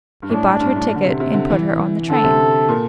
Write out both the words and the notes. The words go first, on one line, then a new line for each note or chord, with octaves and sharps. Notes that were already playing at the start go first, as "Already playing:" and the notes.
He bought her ticket and put her on the train.
G2
A2 D4
A2
G2
A2
D3
C3
C3
D3
E3
D3 A4
C3
A#2